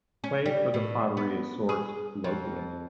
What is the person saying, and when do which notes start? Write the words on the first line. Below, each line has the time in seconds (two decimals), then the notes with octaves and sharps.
Clay for the pottery is sourced locally.
0.24 C#4
0.46 G3
0.74 A2
1.17 B3
1.69 G#4
2.24 F2